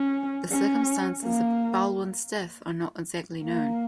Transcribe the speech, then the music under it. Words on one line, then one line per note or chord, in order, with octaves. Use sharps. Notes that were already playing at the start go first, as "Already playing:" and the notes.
The circumstances of Baldwin's death are not exactly known.
Already playing: C#4
C#4
A#3
A#3